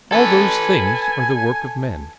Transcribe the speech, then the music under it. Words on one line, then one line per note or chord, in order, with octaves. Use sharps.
All those things are the work of men.
A4 B4 G#5